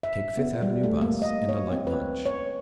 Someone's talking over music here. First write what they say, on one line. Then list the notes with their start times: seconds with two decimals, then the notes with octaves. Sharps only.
Take Fifth Avenue bus, and a light lunch.
0.03 E5
0.37 B3
0.62 G3
0.83 A3
1.01 A#3
1.22 D#5
1.49 C#5
1.72 C4
1.87 B4
2.26 C#5